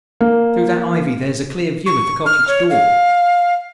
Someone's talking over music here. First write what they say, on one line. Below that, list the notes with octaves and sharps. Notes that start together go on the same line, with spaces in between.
"Through that ivy there's a clear view of the cottage door."
A#3
C#6
F6
C#5
F5